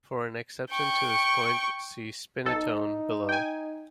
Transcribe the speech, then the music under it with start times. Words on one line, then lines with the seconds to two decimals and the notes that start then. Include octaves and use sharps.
For an exception to this point, see "spinettone", below.
0.70 G5 C#6
2.45 B1 D#4 A4
3.29 G5 G#5